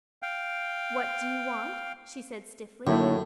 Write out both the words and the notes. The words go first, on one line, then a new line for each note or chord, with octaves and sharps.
"What do you want?" she said stiffly.
F5 G5
F#2 A2 D3 A#3 D#4 E4